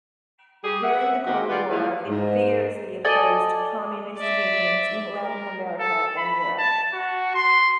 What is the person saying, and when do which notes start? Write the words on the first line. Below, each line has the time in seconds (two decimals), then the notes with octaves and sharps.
During the Cold War it vigorously opposed Communist unions in Latin America and Europe.
0.64 G3 G4 G#4
0.84 E5 F#5
1.27 D#3 G#3 A#3 F#4 G4
1.49 G3 D4 F4 B4 D5 F#5
1.71 E3 F3 G3 G#3 A#3 E4
2.07 G#2
3.05 A4 D5 D#5 G#5
4.18 D5 E5
5.23 A#4
5.79 A4
6.18 B5
6.58 A5
6.93 F#4
7.34 C6